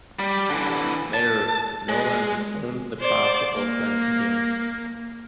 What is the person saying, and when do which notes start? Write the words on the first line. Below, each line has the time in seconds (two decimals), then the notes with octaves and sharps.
Later, Knowland owned the powerful "Oakland Tribune".
0.19 G3
0.50 D3 E3
1.14 A5
1.89 G#3
3.00 C5 D5
3.57 A#3